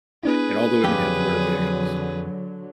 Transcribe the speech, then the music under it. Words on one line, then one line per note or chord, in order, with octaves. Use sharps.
and all the women had to wear veils.
B3 D4 E4 G#4 B4
F2 D3 F#3 G4